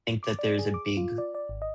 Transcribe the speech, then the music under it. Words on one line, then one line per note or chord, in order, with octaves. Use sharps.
Think that there's a big
D6
D5
G#4
D6
F4
D5
D5
G#1
D#5